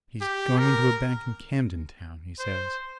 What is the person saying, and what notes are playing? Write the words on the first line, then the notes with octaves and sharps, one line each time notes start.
He's going into a bank in Camden Town, he says.
G4
A#4
C5